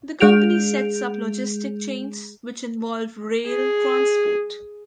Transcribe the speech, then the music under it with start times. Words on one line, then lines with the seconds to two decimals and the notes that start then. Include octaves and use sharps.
The company sets up logistic chains which involve rail transport.
0.20 G#3 G#4 G6 D7 F7
3.47 G#4